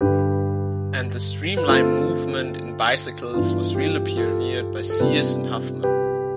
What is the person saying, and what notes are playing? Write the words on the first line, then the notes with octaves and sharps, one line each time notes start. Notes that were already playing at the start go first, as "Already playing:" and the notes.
And the streamline movement in bicycles was really pioneered by Sears and Huffman.
G2 D3 G3 G4 B4
B4
D3 A3 C4 F4 A4
G2 E3 B3 D4 F4
G4
F4 A4
A4
C3 G3 B3 D4 F4 G4 B4
G4 B4